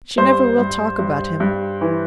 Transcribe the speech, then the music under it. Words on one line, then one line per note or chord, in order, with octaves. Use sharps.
She never will talk about him.
G2 C5
G2
G2
G2
E3